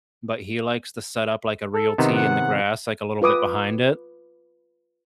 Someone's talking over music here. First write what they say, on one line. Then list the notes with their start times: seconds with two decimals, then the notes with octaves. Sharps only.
but he likes to set up, like, a real tee in the grass, like, a little bit behind it,
1.74 A4
1.98 C3 D#3 B3 D#4
2.16 F#5
3.22 F4 B4 D6 D#6